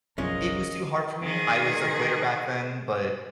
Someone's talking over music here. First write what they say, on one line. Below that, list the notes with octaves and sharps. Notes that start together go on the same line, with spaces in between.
It was too hard for me. I was a quitter back then, but,
F#1 B1 F3 G#3 C#4 F4 A#4 D#5
D#3 G#4